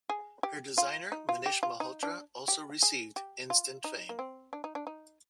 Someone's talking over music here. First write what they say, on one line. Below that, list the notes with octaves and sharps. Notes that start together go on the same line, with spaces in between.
Her designer Manish Malhotra also received instant fame.
G#4
G4
F4
D#4
F4
G4
F4
D#4
D4
G4
G#4
G4
F4
D#4
A#3
C4
D4
D#4
D4
D#4